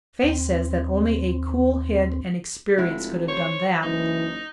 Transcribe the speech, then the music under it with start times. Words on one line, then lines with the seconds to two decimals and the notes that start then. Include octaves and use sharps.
Faye says that only a cool head and experience could have done that.
0.23 D#2 C4
2.77 F1 G#3 E4 F#4
3.28 C5 C#5
3.83 F#1 E3 D#4